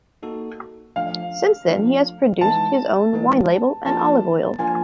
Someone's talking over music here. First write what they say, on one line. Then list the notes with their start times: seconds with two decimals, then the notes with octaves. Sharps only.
Since then, he has produced his own wine label and olive oil.
0.23 A#3 D#4 F#4 A4
0.96 F3 A3 D4 F5
1.68 F3 A3 D4
2.41 E3 G#3 B3 D#4 A5
3.13 E3 G#3 B3 D#4
3.85 F3 A#3 D4 F4 A#4 A5
4.59 F3 A#3 D4 F4 A#4 G#5